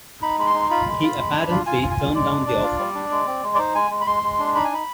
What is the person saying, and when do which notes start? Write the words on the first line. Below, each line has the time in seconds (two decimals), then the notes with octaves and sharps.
He apparently turned down the offer.
0.22 D#4 B5
0.38 G#3 B5
0.46 C6
0.54 D#4
0.70 F4 B5
0.86 G#3
1.02 F4
1.18 G#3
1.34 D4
1.51 F4
1.66 F4 G#5
1.82 F4
1.91 G#5
1.99 F4
2.14 G#3 D5
2.31 D4
2.47 D4
2.63 F4
2.79 G3
2.95 D4
3.11 G#3
3.27 C4
3.43 G#3
3.55 D5
3.58 D#4 C5
3.75 G#3 G#5
3.91 G#3
4.01 B5
4.07 G#3 C6
4.23 G#3
4.39 D4
4.55 D#4 B5
4.65 G#5
4.71 D#4 B5